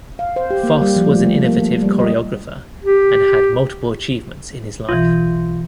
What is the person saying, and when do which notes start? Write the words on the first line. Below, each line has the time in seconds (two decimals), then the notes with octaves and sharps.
Fosse was an innovative choreographer and had multiple achievements in his life.
0.19 F5
0.36 C5
0.50 G4
0.63 A#3
0.81 G3
0.96 F3
1.11 A3
1.24 A3
1.45 A#3
1.64 A#3
1.83 G3
2.00 D#5
2.84 G4
4.89 B1 B2 E3 F4